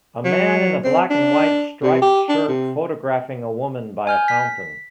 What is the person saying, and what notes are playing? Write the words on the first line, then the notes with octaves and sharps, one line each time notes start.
A man in a black and white striped shirt photographing a woman by a fountain.
F#3
C4
D4
C3
G4
D4
C3
G#5 F6 G6
B6